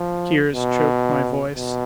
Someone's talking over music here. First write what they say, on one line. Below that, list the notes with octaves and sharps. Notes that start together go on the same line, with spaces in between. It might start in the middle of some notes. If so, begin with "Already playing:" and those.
Tears choked my voice.
Already playing: F3
B2
B2